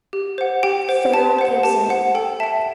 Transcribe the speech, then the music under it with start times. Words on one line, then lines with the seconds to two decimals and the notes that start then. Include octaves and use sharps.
Farrell gives in.
0.13 G4
0.38 C5 F#5
0.63 G4 G5
0.88 C5 F#5
1.14 G4 A5
1.39 C5 F#5
1.63 G4 A5
1.89 C5 F#5
2.15 A4 G5
2.40 E5 A5
2.43 G5